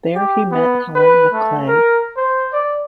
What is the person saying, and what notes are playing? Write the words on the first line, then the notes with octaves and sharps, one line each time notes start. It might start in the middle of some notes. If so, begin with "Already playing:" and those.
There he met Helen McClay.
G4
B3
B4
A3
A#4
C5
D5